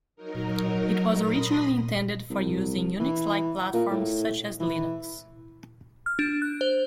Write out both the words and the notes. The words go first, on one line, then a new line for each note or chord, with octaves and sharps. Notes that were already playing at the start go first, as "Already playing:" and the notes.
It was originally intended for use in Unix-like platforms such as Linux.
F#3 D#4 A#4
B5 C6 D#6 A#6
C2
E3
A#2
A2
E3
F6
D4
F#6
C5